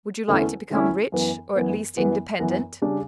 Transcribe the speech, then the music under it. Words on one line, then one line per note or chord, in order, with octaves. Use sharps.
Would you like to become rich, or at least independent?
E2 D3 A3 C#4 E4
E2 D3 A3 C#4 E4
F#2 E3 B3
F#2 E3 B3
F#2 E3 B3
F#2 E3 B3
C#3 G3 D4